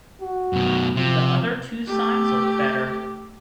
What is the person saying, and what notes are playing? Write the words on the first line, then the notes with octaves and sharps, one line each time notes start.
The other two signs look better.
F#4
F#2 B2
C3 F3
A3 G4